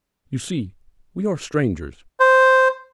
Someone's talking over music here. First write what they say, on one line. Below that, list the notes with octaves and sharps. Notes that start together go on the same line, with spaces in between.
"You see, we are strangers."
C5